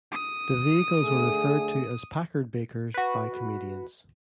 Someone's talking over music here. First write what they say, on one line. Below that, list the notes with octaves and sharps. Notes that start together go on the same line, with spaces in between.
The vehicles were referred to as "Packardbakers" by comedians.
D#6
D3 A3 G#4
F#4 B4